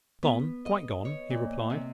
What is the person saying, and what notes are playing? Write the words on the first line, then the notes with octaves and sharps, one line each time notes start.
"Gone, quite gone," he replied.
B3
D#5
C#5
A#2
C3